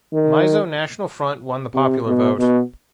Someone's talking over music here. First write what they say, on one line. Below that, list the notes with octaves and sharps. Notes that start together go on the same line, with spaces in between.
Mizo National Front won the popular vote.
D#3
C3
B2
B2